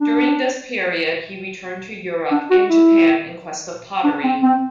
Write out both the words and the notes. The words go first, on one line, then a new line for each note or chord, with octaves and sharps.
During this period, he returned to Europe, and Japan in quest of pottery.
D4
D4
F#4
E4
D4
C4
C4